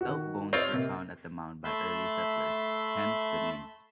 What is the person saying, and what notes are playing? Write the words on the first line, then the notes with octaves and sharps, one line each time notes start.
Elk bones were found at the mound by early settlers, hence the name.
D#3 F#4
C4 F4 C#5 D#5
C3 A#3
A3 E5 A5 B5 C6